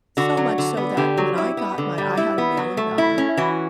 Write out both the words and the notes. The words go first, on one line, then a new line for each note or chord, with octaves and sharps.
so much so that when I got my I had a mail-in ballot,
D3 F#4
F#3
D3
B3
D3 G4
F#3
E4
B3
D3
G3
E4
B3
F#3
A3
E4
C#4
E3 F#4